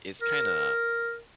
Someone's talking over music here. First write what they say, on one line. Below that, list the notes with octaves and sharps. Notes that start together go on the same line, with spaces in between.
it's kinda
A#4